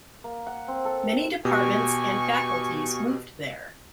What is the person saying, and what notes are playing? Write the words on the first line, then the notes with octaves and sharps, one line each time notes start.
Many departments and faculties moved there.
A#3
F#5
C4
A4
B2 G4 G#5 C#6